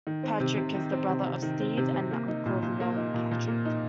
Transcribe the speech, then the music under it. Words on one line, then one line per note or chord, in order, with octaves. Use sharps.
Patrick is the brother of Steve and the uncle of Nolan Patrick.
D#3
C4
C3
C3
D#3
C4
C3
C3
D#3
C4
C3
C3
A#3
D#4
A#2
A#2
A#3
D#4
A#2
A#2
A#3
D#4